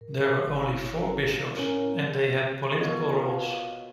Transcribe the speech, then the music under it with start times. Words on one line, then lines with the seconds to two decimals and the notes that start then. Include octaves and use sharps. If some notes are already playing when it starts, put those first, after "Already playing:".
There were only four bishops, and they had political roles.
0.01 A2 A#4
0.47 G1 E4 C#5 F5
1.57 A2 C#4 A#4
2.78 B2 F4 A#4 C#5 D#5